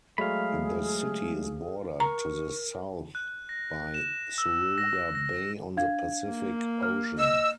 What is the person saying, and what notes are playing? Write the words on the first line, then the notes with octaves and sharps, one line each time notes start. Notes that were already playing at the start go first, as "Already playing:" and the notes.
The city is bordered to the south by Suruga Bay on the Pacific Ocean.
F#3 G#3 A3 G#4 F5 B5
A#4 A#5 C#6
F#6
A#6
E7
E6
A#6
A#6
D4 F5 G#6
A#3
F6
D#5 E6